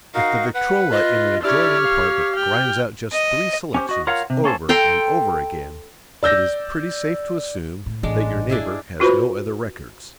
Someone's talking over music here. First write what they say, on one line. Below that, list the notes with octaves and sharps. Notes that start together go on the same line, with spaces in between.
If the Victrola in the adjoining apartment grinds out just three selections over and over again, it is pretty safe to assume that your neighbor has no other records.
D#4 F#4 A#4 F5
B4 F#5
F4 D#5
D4 E4 G4 C#5 D5 F6
F5
G5 F6
D#5
C#4 G4 C5
F#4 D#5
F4 A#4 C#5 F5 F#5
C3
A#3 C#4 A4 C5
A4 G5 A#5 C6
D5 E6 G6 A#6
A2
A1 G#3 D4
D4 E4 G#4
F4 F#4 B4 C5 B5